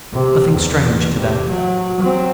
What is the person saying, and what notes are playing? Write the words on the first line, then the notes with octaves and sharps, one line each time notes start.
Nothing strange to day.
C3
E2
C3
F#3
F#3 C4